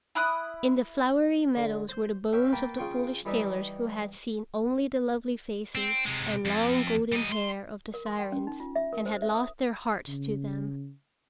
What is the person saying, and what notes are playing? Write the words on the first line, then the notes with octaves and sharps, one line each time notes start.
In the flowery meadows were the bones of the foolish sailors who had seen only the lovely faces and long, golden hair of the Sirens, and had lost their hearts to them.
E4 B5 D#6 F#6
D3
C5
C#4 E5 F5 G5
A#3 B4 G5 A5
C#3 F4 G5 C#6
E3 G3 D#4 B4 E5
C4
C3 G#3
F2
G3 D#5
C6
A#4
C6
G5
C#4
D#4
F4
E5
A#4
C5
E5
D#6
C#3